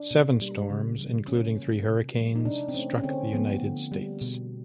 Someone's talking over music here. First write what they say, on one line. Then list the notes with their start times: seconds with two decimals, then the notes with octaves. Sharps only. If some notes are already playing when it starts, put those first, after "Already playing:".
Seven storms, including three hurricanes, struck the United States.
Already playing: D4
0.11 B2
0.41 G3 A#3
0.70 C#3
0.99 E3 G3
1.28 B2 C#4
1.57 G3 A#3
1.87 C3
2.16 F3 G#3
2.35 D#4
2.45 C3 D4
2.68 C4
2.74 E3 A3 C#4
2.98 C#4
3.03 D3 C4
3.33 F3 A3 B3
3.62 D3
3.92 G3 A#3
4.21 B2